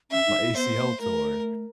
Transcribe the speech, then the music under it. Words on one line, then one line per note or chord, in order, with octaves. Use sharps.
my ACL tore,"
C#4 E5
D#4
E4
B3 C5
A#3
A3 A#4